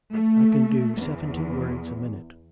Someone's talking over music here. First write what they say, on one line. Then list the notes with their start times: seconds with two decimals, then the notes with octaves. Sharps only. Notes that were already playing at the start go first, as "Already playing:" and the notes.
I can do seventy words a minute.
0.12 A3
0.98 E2